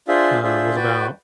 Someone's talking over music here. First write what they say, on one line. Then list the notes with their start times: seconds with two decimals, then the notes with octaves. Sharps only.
um, was about,
0.08 D4 F4 G#4 C5 E5
0.42 D4 F4 G#4 C5 E5
0.76 F#4 B4 D5 G5